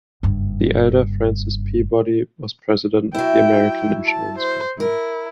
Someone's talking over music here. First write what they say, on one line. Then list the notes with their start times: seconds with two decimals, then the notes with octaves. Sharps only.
The elder Francis Peabody was president of the American Insurance Company.
0.23 F#1 G2
3.14 F#3 E4 G5
4.06 A5
4.38 C5
4.80 E4 A#4